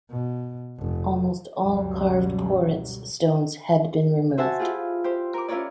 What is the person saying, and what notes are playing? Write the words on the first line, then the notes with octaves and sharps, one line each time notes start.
Almost all carved porites stones had been removed.
B2
F1
C#2 F#2 B2 D3 F#3 G3
F#4 C5 E5 F#5 G#5 A5
E4 F4 G4 G#4
G4 C5
A#4 D6
C#4 E4 F4 A#4 C#5 D5